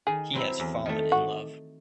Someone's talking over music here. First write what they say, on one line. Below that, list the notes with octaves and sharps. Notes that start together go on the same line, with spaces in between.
He has fallen in love.
D#3 G#4
F#3 C4 E4
E2
D#3 A3
F#4